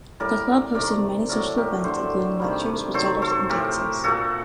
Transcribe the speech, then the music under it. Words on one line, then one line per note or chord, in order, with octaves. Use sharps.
The Club hosted many social events, including lectures, recitals, and dances.
A2 G3 A#4 D5
C3 D#3 A3 A#4 D5
A2 F#3 A3 A#4 D5
G4 A#4
D3 A3 A4 C5
C3 D#3 G3
C3 D#3 F#3 A3 A4 C5
A4 C5
A2 A3 G4 A#4
A#2 A3 F#4 A4